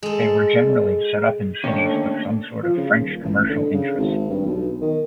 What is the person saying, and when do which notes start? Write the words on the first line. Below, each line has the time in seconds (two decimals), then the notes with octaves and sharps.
They were generally set up in cities with some sort of French commercial interest.
0.03 G#3 A4
1.64 D#2 D3 A3 A#3 C#4 D4
2.63 F3
2.77 C#3
2.95 D#1
3.22 A1
3.35 A1
3.49 D3
3.73 C#3
3.98 G#1
4.30 G2
4.46 B1
4.82 D#3